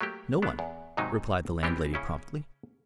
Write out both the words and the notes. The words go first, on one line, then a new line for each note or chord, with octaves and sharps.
"No one," replied the landlady promptly.
F#3 A3 A#3 G4
A3 B3 D4
E2
G#2 C3 D#3 F#3 D#4
E3 G3 B3 C4 G4
C#3 C#4 E4